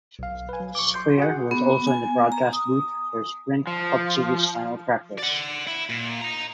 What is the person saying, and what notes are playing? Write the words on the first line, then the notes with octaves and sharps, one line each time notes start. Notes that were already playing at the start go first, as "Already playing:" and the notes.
Squier was also in the broadcast booth for Sprint Cup Series final practice.
B1 F5
B4 G#5
F#3
C#6 D6
C6 G6
F#4 G#4 F#5
B3
G#5
A#5
D#6
F3
D5 F#5
E4
A#2
D#5 A#5